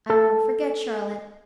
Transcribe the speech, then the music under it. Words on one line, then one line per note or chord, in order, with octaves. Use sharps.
'I won't forget, Charlotte.'
A4